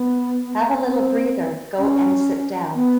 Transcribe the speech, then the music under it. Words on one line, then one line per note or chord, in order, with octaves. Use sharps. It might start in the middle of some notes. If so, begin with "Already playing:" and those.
Have a little breather, go and sit down.
Already playing: B3
C4
C#4
B3